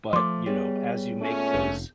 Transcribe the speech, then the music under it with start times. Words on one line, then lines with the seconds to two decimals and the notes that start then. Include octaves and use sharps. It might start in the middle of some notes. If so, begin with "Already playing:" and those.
But, you know, as you make those,
0.13 F3 A3 C6 D6
0.46 G3 B3 G#4 C#5
1.19 A#2 A3 C#4
1.55 F1